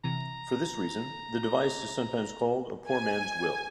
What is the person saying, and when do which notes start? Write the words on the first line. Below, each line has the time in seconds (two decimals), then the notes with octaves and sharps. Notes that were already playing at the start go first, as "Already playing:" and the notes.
For this reason, the device is sometimes called a "poor man's will".
0.04 C3 E3 A#5
2.88 G#5